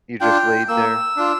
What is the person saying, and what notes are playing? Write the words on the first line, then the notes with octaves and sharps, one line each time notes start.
You just laid there?
D4 F4 G5
A#3 E6
D4 F4